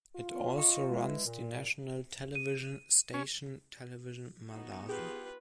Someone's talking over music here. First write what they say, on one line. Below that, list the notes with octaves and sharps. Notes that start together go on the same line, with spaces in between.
It also runs the national television station, Television Malawi.
F4
D#5 C#6
E3 G#3
A#2
D#7
C#4
B3 D#4 F#4
F4 G4 G#4 B4